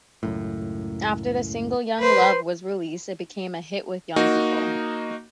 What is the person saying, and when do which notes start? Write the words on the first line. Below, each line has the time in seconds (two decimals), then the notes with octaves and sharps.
After the single "Young Love" was released, it became a hit with young people.
0.23 C#2 F#2 A2
2.00 B4 C5
4.16 A#3 D#4 F#4